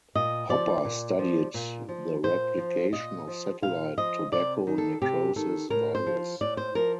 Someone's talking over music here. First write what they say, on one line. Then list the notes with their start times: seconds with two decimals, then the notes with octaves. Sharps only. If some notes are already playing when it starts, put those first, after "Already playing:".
Hopper studied the replication of satellite tobacco necrosis virus.
0.15 A#2 D#5
0.49 F3 D5
0.85 A#2
1.19 F3
1.54 A#2
1.89 F3
2.23 A#2 C5
2.58 F3
2.93 A#2 D#5
3.28 F3
3.62 A#2 F5
3.98 F3 D#5
4.32 C3 D5
4.67 D#3
4.78 A4
5.02 C3 G4
5.36 D#3 A4
5.70 A2 A#4
5.95 C5
6.06 F3
6.41 A2 D5
6.57 C5
6.75 F3 A#4